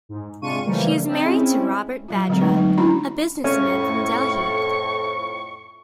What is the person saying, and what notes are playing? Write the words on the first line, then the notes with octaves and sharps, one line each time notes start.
She is married to Robert Vadra, a businessman from Delhi.
G#2
C3 G#3 D4 F4 C#6 D#7
C#3 E3 F3 G3 A3 A#3
C4 D#4 E5 G5 A5
G#3 C4 C#4 E4
F#3 G3 F4
D3 F3 F#3 G#3 C4
A3 D#4 B4
F#3 D#4
C#4 D4 E4 F#4 A#5 B5
F2 A2 C#4 C#6